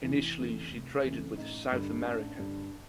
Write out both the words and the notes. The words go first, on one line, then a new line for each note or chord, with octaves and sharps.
Initially she traded with South America.
F1 E3 E4
F2 C#3 E3 A3
F1
F2 C#3 E3 A3
A1 D#4
G2 D3
A1 D4
G2 D3